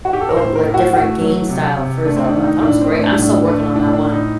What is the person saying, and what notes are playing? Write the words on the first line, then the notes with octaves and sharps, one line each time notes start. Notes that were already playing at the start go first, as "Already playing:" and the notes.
um like, different game style for Zelda I thought it was great, I'm still working on that one.
F#4
G4
A4
A#4
A2 C5
A#4
A2
F#4
A3 F#4
F#3
C3
C3
A3 D4
C4
D4
D#3
D#4
A2 D4
C4
A3
D4
A2 D4
A3 D4
A2 D4
D4
A2
D#4